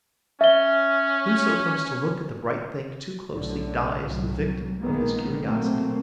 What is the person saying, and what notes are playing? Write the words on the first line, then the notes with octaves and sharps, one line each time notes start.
Whoso comes to look at the bright thing too closely dies the victim of his curiosity.
C#4 E5 G7
B1 A2 D3
C2 F#3
A#1 D#3 G#3 A#3 B3
B2 F#3 A3 A#3 C4